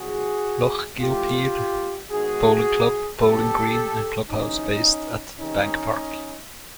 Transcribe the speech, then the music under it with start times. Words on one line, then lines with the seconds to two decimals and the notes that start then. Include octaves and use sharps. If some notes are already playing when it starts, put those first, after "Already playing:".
Lochgilphead Bowling Club bowling green and clubhouse based at Bank Park.
Already playing: C2 A#2 F#3 F#4 G#4
1.00 A2 F3 A3 F4 G4
2.10 G#2 D#3 G#3 B3 F#4 G#4
3.19 A2 F#3 B3 G4 A4
4.29 D2 C3 E3 C#4 D#4
5.38 C#2 C3 D#3 C#4 D#4